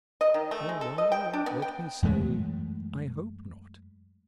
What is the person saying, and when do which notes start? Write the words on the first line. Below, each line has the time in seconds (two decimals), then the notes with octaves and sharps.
"Or, rather let me say, I hope not."
0.21 D#5
0.34 D#3
0.51 A3
0.69 G#3
0.81 A4
0.98 D#5
1.12 G5
1.33 D4
1.46 B3
1.62 G5
2.02 F#2 E3 G#3 A3